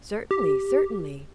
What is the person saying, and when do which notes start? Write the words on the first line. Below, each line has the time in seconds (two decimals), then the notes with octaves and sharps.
"Certainly, certainly."
0.31 G4